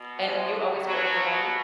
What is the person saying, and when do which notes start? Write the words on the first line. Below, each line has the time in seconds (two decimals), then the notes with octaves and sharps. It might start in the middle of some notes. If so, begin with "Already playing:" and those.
And you always went with a buddy?
Already playing: B2
0.22 F3 G#3
0.52 F#3
0.83 B2 F#3